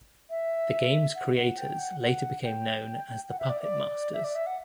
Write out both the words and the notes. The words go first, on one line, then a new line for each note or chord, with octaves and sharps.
The game's creators later became known as the "Puppetmasters".
E5
F#5
F#5
G5
F#5
F#5
G5
F#5
E5
D5
D5
E5
D5
E5
F#5